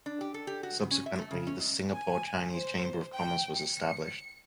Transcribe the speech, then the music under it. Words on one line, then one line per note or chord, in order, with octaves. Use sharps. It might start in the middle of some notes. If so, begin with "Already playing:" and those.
Subsequently, the Singapore Chinese Chamber of Commerce was established.
D4
G4
A4
G4
F#4
C#3
C#4
E5
A3
C#3
C#4
G#2
G#5
C5
G5
C#7